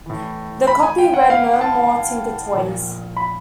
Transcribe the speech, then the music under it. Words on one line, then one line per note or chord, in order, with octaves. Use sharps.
The copy read No More Tinker Toys.
A2 E3
B5
G#5
G5
F#5
F5
A5
A#2 F3
B5